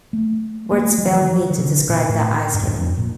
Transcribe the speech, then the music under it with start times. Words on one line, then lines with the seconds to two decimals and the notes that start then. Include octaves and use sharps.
Words fail me to describe that ice cream.
0.13 A3
0.71 A#3
0.85 A3
0.98 G3
1.07 D#3
1.11 F3
1.22 D#3
1.30 F3
1.50 D#3
1.58 C3
1.63 D3
1.89 A#2
2.09 A2
2.54 G2
2.63 F2
2.67 G2
2.77 F2
2.97 A#2